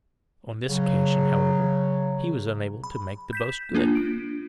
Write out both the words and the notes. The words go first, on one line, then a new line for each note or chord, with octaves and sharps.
On this occasion, however, he was unable to make the boast good.
C#3 F#3
B5
G6 B6 E7
A#3 D4 F4
D7